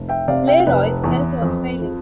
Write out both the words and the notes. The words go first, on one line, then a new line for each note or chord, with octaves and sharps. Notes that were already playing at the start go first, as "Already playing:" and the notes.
LeRoy's health was failing.
Already playing: F1
E5 G5
C3 D5 F5
E5 G5
F1 B4
E2
F2
F3